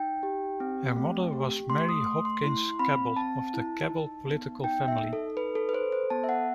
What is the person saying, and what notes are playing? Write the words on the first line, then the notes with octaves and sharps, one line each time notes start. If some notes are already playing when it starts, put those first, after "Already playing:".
Her mother was Mary Hopkins Cabell, of the Cabell political family.
Already playing: D#4 G5
G4
C4
A3
G4
A3 C6
D#6
A3 C6
C6
E4 C6
C4 B5
C4 A5
E4
D#4
B3
D#4 G5
E5
D#4
A4
A4 B4
A4
B4
A4 C5
C5
B3 A5
E5
F#5